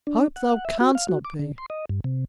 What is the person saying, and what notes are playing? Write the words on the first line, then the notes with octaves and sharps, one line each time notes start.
Pope thou canst not be.
D4
F#5
E5
F#4
F5
F#4
D6
D3
C6
D#5
G2
C3